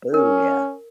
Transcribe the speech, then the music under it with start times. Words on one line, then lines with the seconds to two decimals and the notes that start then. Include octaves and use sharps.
Ooh, yeah.
0.14 C#4 A#4